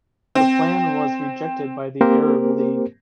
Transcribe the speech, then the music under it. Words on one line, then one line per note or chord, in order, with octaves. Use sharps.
The plan was rejected by the Arab League.
C4
A#3 C4 G4 A#4 C5